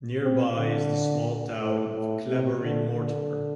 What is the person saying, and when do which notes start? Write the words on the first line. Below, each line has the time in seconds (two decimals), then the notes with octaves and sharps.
Nearby is the small town of Cleobury Mortimer.
0.23 C4
0.57 D3
1.60 A2
1.94 A2
2.28 C3
2.62 D3
2.96 D3